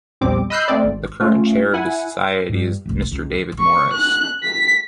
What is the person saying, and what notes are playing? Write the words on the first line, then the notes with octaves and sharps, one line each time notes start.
The current chair of the society is Mr David Morriss.
A#1 E2 G3 C4 D6
D#5 B5 E6 F#6 G6 C7
A3 C4 D5
G#1
A3 C#4 F4
E4 F#5 G#5
G2
F1 C2
C#2
C#6
F#6
B6